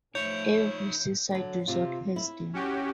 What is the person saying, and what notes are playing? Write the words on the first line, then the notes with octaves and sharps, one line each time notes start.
Every seaside resort has them.
A2 F3 A3 D#4 C#5 E5 G6
D3 F#3
C3 F4
E4
C#4 F#4 G4